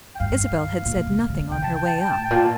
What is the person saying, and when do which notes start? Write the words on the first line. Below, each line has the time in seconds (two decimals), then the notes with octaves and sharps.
Isabel had said nothing on her way up.
0.15 G5
0.19 G2 F5
0.85 A#2
1.07 C3
1.29 D3
1.51 C3 G5
1.63 A5
1.75 G5
1.87 A5
2.00 G5
2.12 A2 A5
2.24 G5
2.31 A#2
2.36 A5